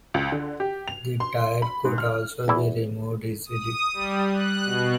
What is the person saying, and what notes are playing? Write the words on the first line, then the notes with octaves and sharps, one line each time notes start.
The tire could also be removed easily.
C#2
D3
G4
F7
C6
B5
G#2
F6
E2 E4
D#6
G3
F#6
B2